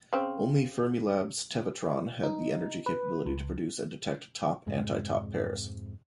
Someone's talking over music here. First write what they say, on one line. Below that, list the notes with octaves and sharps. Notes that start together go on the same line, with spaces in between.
Only Fermilab's Tevatron had the energy capability to produce and detect top anti-top pairs.
C#3 C4
D#4
B4
C#2
F2 G#2 C3 G#3